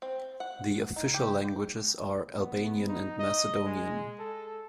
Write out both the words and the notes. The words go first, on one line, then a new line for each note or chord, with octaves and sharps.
The official languages are Albanian and Macedonian.
C4
F#5
D#4
G4
B3
D#4
D#5
G#3
A4